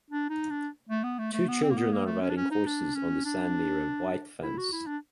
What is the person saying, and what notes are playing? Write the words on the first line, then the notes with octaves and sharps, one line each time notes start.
Two children are riding horses on the sand near a white fence.
D4
D#4
D4
A3
B3
A3
A3
B3
C4
A#3
B3
A#3
A3
C#4
D4
C#4
D#4
D4
C#4
D4
E4
F#4
E4
D4